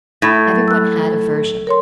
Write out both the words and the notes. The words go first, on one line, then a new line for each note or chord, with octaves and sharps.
Everyone had a version.
A2
F#3
E6 F#6
A#4 C#5 C6